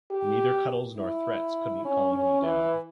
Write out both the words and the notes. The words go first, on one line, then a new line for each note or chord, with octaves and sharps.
Neither cuddles, nor threats couldn’t calm him down.
G4
E4
C#4
C#4
E3